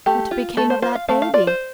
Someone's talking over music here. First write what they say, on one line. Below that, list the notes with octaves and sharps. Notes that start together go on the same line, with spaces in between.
What became of that baby?
A3 G4
F4
A3 A4
C5
F4 C5
F5
A3 F5
F5
F4 D5
C5